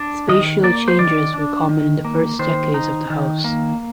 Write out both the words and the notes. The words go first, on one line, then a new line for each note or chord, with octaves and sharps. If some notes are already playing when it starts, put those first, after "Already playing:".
Spatial changes were common in the first decades of the house.
Already playing: D4
D#3 D#5
A#3 D5
C5
D#3 D5
D4
D#3
A#3
D#3 C5
D#4
D#3
A#3